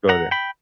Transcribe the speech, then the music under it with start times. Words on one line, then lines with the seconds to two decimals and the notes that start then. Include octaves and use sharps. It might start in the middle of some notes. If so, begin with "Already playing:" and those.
Go there.
0.09 F#5 A#5
0.31 G5 B5